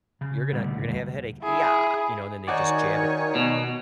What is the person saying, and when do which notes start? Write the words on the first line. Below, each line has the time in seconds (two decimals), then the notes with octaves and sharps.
you're gonna you're gonna have a headache, e yah you know, and then they just jab it
0.21 C#3
0.52 D1 D#2 B2 G3
0.90 D1
1.43 E4 G#4
2.47 D#3 D#4 F#4 C#5 D5 G#5
3.35 B2